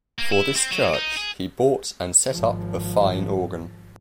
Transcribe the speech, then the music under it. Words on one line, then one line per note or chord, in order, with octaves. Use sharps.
For this church he bought and set up a fine organ.
A#3
E4
C4
F#3
D#4
G#4
G#1 F3